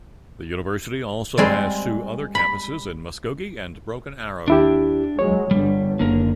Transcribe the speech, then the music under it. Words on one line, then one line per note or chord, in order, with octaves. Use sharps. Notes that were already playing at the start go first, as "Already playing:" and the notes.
The university also has two other campuses in Muskogee and Broken Arrow.
G3 G#3 C4
B5
D#2 D4 E4 G4
F#3 G#3 C#5
G1 D3 G3
F#1 D3 A#3 A#4